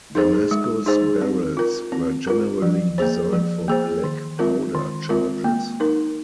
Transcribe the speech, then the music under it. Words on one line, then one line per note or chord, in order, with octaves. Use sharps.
Damascus barrels were generally designed for black powder charges.
D#4 G#4 C5
G#3
D#4 G#4 C5
C4
F4 A#4
C4
F4 A#4
F3
A#3 G#4 C5
F3
A#3 G#4 C5
D#3
G#3 C4 F4 A#4
D#3
G#3 C4 F4 A#4
A#3
D#4 A#4